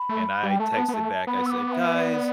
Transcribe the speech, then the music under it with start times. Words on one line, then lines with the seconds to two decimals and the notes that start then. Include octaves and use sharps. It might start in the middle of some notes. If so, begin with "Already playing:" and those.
And I texted back, I said, “Guys"
Already playing: B5
0.09 A3
0.43 G3
0.49 G5
0.60 A3 A5
0.72 A3
0.77 B3
0.88 B3
0.94 A3 A5
1.27 B3 B5
1.46 E6
1.50 D6
1.72 E5
1.94 D5